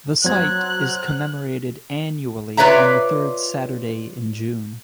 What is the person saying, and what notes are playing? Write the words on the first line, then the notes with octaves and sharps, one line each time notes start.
The site is commemorated annually on the third Saturday in June.
F#3 C4 F#6 G#6
F4 B4 C#5 D5 E5 A#5